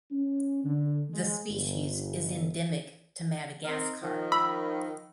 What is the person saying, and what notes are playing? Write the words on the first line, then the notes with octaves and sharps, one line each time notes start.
The species is endemic to Madagascar.
C#4
D3
G#3
G1
C4 D#4 A#4
D#3 F3
B5 E6